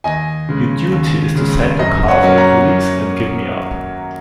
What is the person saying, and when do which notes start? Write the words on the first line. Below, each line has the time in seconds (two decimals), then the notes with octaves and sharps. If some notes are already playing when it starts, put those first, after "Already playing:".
Your duty is to send your car for the police and give me up.
0.04 D#2 D#5 G#5
0.49 C#3 G#3
0.92 D#2
1.35 C#3 G#3
1.79 F#2 D#5
2.08 C#5 F#5
2.23 F#3 A#3 C#4
2.38 F#5 A#5